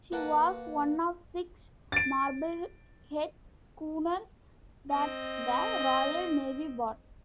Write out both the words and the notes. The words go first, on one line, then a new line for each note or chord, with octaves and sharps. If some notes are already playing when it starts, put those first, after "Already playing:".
She was one of six Marblehead schooners that the Royal Navy bought.
A#3 B4 F#5 A5
A6 D7
C4 D#5